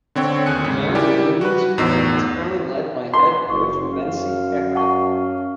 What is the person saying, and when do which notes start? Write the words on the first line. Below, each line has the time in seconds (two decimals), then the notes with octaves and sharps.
Mount Union's football is currently led by head coach Vince Kehres.
0.15 D3 C4 C#5 G5 C#6
0.46 D#2 G#4 G#5 F#6 C#7
0.64 G#2 C#3
0.95 E4 G4 A#4 D5 G#5
1.41 F#4 B4
1.78 G1 E2 A2 D#4 E6 C7
3.14 B4 C6
3.50 F#1 G#4 C#6
3.92 F#2 F5
4.75 F#5 A5 C#6